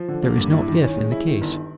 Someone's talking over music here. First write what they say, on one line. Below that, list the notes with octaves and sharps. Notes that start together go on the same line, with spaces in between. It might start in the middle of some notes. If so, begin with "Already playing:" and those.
'There is no "if" in the case.
Already playing: F3
D3
A#3
G2
E4
D#3
C#4
G#3
E4
D#3
G1